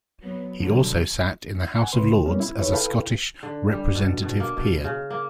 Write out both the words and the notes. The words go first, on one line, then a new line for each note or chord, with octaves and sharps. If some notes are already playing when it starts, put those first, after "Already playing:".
He also sat in the House of Lords as a Scottish representative peer.
F#3 B3
B2 D3 F#3 G3
F#5 G#5
C2 C#3 B4 C6
G3 A#3 B3 C#4
E4
D#4 G#4 B4 C#5 E5
E4 A4 B4 F5 G5
D3
G3
B2
B2
A#3
B2
C#3
A#3